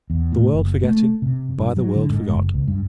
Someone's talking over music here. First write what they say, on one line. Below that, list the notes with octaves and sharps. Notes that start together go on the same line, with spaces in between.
"The world forgetting, by the world forgot."
E2
A2
F#1
A3
C3
G2
F#3
D3
G#2
F#1
C#2
G2